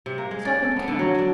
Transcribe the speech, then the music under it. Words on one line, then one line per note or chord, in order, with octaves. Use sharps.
Stop and count.
C3
A#3
G#3
D5
A4
B3
D3
F#3
D4